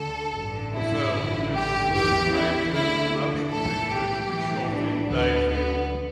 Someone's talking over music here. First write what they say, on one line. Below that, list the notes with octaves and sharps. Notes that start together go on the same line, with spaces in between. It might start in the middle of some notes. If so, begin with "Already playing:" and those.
The film is the first major motion picture to be shot in Bayfield.
Already playing: D2 D3 A4
A1 G2 D3
E4
A1 G2 D3
G4
E2 E3 G4
E4
D2 D3 E4
B1 A2 E3 A4
G4
B1 A2 E3
D4
D2 D3 B3
B3